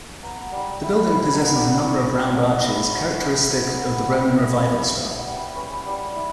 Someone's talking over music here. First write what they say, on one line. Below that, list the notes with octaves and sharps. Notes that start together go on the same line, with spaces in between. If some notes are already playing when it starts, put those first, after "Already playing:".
The building possesses a number of round arches characteristic of the Roman Revival style.
B3 A#5
G3
E4
G3 B5
A#5
B3
D5
G3
C#5
C#4 D5
F#3
E4
F#3 C#5
C#4
F#3
B3
G3
E4
G3
B3
G3
C#4 B4
G3
E4